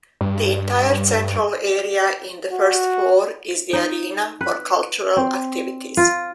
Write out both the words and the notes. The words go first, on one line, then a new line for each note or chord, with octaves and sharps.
The entire central area in the first floor is the arena for cultural activities.
G2
F#4
D#4
B4
C4
F4